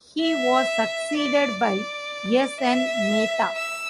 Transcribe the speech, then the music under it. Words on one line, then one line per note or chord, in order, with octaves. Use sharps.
He was succeeded by S. N. Mehta.
E5
D5
D5
E5
E6